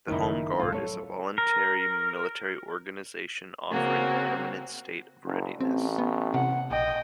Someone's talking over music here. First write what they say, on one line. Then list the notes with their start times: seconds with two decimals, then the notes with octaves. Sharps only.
The Home Guard is a volunteer military organization offering a permanent state of readiness.
0.08 F#1 F#2 D#3 D#4 E4
0.59 A1 B2 F4
0.72 F#3 A4 C#5
1.38 A#4
3.70 C#3 A#3 C4 F#4
5.25 F#1
5.60 A1 C4
5.98 B3
6.34 C3 F#5
6.71 A#1 D#5 G5